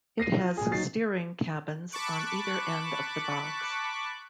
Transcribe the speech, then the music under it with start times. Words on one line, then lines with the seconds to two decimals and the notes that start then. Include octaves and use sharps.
It has steering cabins on either end of the box.
0.20 A#6 C7 D#7
0.37 F4
0.57 A#2 G#4
0.71 F#3 D#4 A6 C7
1.92 A5 B5 C#6 D6 F#6